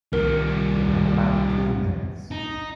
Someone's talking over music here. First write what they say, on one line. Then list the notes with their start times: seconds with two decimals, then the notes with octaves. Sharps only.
You have about two minutes.
0.13 C2 D#3 G3 A#4
2.31 D#4